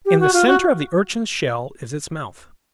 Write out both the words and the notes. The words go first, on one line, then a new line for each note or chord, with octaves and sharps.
In the centre of the Urchin's shell is its mouth.
G4
F#4
F4
F#4